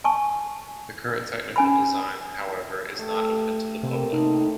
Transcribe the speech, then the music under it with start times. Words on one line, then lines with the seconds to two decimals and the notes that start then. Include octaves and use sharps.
The current technical design, however, is not open to the public.
0.04 G#5 A5 C#6
1.56 C#4 G#5 B5
2.94 A3 G4
3.83 C3 A#3 C4
4.13 A2 D#4 A5